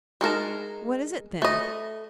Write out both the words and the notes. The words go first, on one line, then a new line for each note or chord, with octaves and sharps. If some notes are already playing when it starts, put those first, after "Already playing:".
"What is it, then?"
G#3 D#4 A#4 A5
A3 D#5